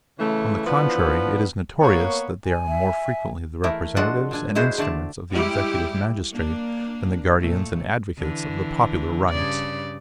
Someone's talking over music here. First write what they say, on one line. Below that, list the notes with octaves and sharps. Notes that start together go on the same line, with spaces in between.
On the contrary, it is notorious, that they are more frequently the representatives and instruments of the executive magistrate, than the guardians and advocates of the popular rights.
C#3 E3 A3
E3 F3 B3 D4
A#3 B3 C#5
G#5
E5
E3 A3 E4 A#4
F3 G#3 D4 F4 F#4 F#5
A#2 D4 G#5
G#3 E4 F#4 G#4 C5
D3 A3 D5 A5
G3 G#3 E4 G4
A#3 D4
A#2 A3
D3 E3
G2 C#3 D5